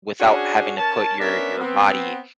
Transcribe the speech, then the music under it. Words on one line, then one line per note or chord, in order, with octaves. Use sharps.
without having to put your your body,
C#4 D4 F#4 G#4
C#4 A#4 A5
B3 C#4 D4 A#4 E5
B3 C4